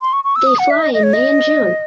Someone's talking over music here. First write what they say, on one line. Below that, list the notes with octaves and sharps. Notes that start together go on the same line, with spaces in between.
They fly in May and June.
C6
C#6
C#6
E6
D#6
F#5
E5
D#5
D#5
C#5
D#5